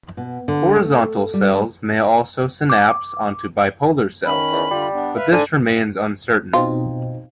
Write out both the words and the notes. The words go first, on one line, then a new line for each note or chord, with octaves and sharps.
Horizontal cells may also synapse onto bipolar cells, but this remains uncertain.
B2
D3
A3
G3
D6
D#3 C#4 B5
E2
D3 G3 F4
B3 D4
B4 E5 F5
G#2 D3 G#5
B2 C4 D#4 F4